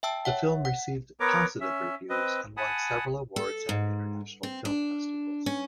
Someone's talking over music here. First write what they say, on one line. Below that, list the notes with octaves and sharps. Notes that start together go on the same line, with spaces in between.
The film received positive reviews and won several awards at international film festivals.
E5 G5 A5 E6
C#5 E5 F#5
F#5
B3 A#4 B4 C#5 A#5 D6
C#4 E5
C4 B4 D#5
F#5 G#5 A5 B5 D#6
A4
G#2
C4
D4
C#4